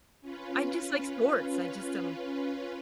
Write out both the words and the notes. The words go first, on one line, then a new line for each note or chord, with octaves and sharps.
I just like sports, I just um,
C#4 F4 B4